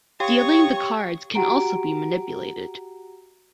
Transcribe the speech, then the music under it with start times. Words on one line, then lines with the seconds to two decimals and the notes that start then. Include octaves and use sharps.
Dealing the cards can also be manipulated.
0.20 G4 C#5 F5 G5 C#6 D#6
1.35 F#4 G4 F#5 G5 A#5 D7